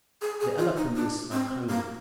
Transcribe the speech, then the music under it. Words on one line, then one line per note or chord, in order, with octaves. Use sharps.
The other police are coming.
G#4
G#4
F4
D#4
D4
C4
A#3